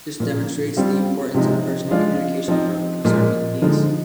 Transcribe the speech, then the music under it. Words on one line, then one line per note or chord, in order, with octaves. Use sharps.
This demonstrates the importance of personal communication for preserving peace.
A#2 F3 A#3
G3 C4 F4
C3 F3 G#3 D#4
F3 G#3 D4 F4
F3 C4 D#4
A#2 F3 G#3
D3 F3 G#3 D#4